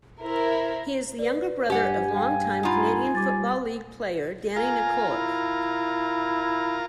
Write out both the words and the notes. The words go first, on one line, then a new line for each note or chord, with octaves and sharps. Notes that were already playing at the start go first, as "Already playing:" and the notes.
He is the younger brother of longtime Canadian Football League player Danny Nykoluk.
E4 A#4 C5
B4 D5
G2 G4 F#5 G#5
F5 G5
D#4 F4 F#5 A#5 B5
G3 D6 A6
F4 A#4 G#5
E4